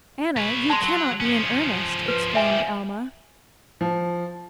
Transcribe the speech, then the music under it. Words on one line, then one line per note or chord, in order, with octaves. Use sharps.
"Anna, you cannot be in earnest!" exclaimed Alma.
B4 C#5
G#3 A5 C6
F#3
F3 C#4
B4
F3 G4 E5 G#5
F3